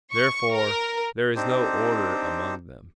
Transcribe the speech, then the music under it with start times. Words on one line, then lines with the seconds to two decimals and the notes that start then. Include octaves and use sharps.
Therefore there is no order among them.
0.11 C#6
0.52 A#4
1.36 C4 D4 D#4 G4 C5